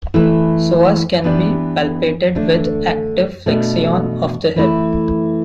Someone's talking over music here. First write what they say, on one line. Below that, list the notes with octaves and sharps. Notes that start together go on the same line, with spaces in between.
Psoas can be palpated with active flexion of the hip.
E3 A3 E4 B4 E5
E3 B3 D4 G4 D5
D3 A3 D4
B2 A3 D4
E3 A3 E4